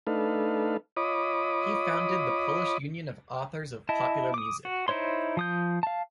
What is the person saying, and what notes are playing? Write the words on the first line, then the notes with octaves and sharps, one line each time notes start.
He founded the Polish Union of Authors of Popular Music.
A3 D4 D#4 A4 B4 F5
F4 C#5 D#5 B5 D6 D#6
E4 D#5 A5
D6 D#6
F#4
D#4 E4 C5 C#5 C6
F3 D#6 G6
F5 A5